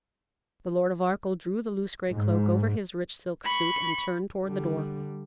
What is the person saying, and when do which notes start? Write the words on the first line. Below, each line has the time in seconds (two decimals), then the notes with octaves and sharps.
The Lord of Arkell drew the loose gray cloak over his rich silk suit, and turned toward the door.
2.10 G#2
3.45 B5 C#6
4.45 D3 G3